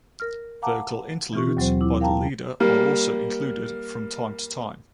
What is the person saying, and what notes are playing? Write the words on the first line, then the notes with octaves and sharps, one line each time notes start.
Vocal interludes by the leader are also included from time to time.
A#4 F6
F5 F#5 A5 A#5 D6
B2 E3 C4 F4 G4 C#6
D#2 F#3 C4 C5
E4 D6
A#4 F5 G5 A5 A#5
G3 A#3